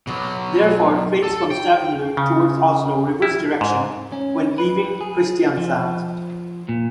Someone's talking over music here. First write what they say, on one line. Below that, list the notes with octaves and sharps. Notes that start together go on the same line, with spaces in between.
Therefore, trains from Stavanger towards Oslo reverse direction when leaving Kristiansand.
B2 F#3
A4
G5
C#3
E4
G#2
C#4
B4
G#4
F3
A#2